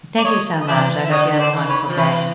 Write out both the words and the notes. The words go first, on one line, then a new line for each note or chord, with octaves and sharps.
Thank you so much, I hope you have a wonderful day,
D5
C#5 D#5
D#5
E3 D5 E5
E5
D3 C#5 D#5
C5 D5
D#3
B4 C#5
F3
E3 B4 C#5